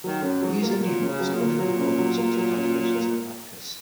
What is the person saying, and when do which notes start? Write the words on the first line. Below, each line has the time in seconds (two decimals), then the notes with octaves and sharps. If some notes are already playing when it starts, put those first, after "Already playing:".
They used their numerals only for recording the results of calculations on an abacus.
0.04 D#3 F#3
0.22 F#2 C#4
0.42 G#2 F#3
0.62 A#2 A#3
0.81 A#2 F#3
1.01 C#4
1.07 C#3
1.20 F#3
1.33 A#2
1.40 A#3
1.59 A#2 F#3
1.79 C#4
1.98 F#3
2.17 A#3
2.36 F#3
2.56 C#4
2.76 F#3
2.95 A#3